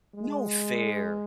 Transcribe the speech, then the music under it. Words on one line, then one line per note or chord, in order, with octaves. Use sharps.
No fair.
G#3